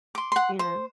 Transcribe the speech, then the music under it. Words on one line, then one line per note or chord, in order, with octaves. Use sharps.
you know?
C6 D6
F#5 C6
C5